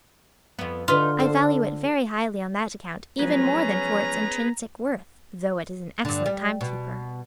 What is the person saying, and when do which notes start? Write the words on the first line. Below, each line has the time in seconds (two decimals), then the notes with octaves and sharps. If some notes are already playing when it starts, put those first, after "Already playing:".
"I value it very highly on that account even more than for its intrinsic worth; though it is an excellent time-keeper."
0.59 F2 B3
0.88 D3 D#4 F4 B4
1.20 A4 C5
3.19 F3 F#3 G#3 B3 C#4 G#4 B4 A#5
6.05 G2 D3
6.26 G3
6.61 B2